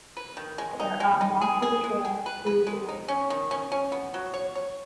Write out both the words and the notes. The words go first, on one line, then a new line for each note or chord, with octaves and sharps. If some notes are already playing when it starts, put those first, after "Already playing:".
There are walking trails through the woods.
B4
D#3
G#3
D#4
G#3
D#4
G#4
G#4
G#3
G#4
B4
B4
G#3
D#4
C#4
D#3
C#4
C#4
B3
F#3
C#5
C#5